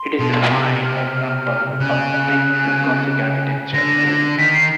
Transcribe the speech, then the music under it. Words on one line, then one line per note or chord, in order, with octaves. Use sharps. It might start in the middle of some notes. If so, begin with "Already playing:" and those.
It is a fine example of Brick Gothic architecture.
Already playing: C6
B2
C3
F6
F6
C#3 F#6
F#6
D3 A#6
D3
D#3 B6
C7